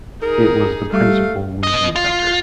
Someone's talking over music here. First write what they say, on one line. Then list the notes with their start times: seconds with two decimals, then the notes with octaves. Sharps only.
It was the principal weaving centre.
0.22 D#4 G#4 A#4
0.93 G3 A3 F5
1.63 B3 D#5
1.96 F4